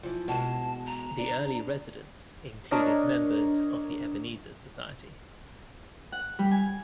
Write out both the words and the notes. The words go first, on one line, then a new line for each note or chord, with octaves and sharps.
The early residents included members of the Ebenezer Society.
E3 F3
B2 G#3 A5
A#5
D4
D4 A#4 C#5 D#5
F#5
G3
G#5